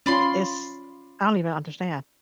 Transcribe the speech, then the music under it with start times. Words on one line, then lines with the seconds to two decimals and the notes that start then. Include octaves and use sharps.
Eh is I don't even understand.
0.06 C#4 F4 D5 B5 C6